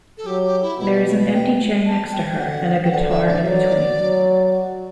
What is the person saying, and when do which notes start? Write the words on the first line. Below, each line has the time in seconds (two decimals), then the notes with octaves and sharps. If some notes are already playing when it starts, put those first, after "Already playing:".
There is an empty chair next to her and a guitar in between.
0.18 A4
0.26 F#3 G4
0.44 G4
0.62 E4
0.79 B2 E4
0.93 F#4
1.06 F#4
1.19 D5
1.33 G5
1.86 A5
2.12 G5
2.31 G5
2.38 D3 F#5
2.84 G5
2.91 D3 F#5
3.10 E5
3.27 D5
3.44 F#3 E5
3.48 D5
3.98 F#3
4.51 F#4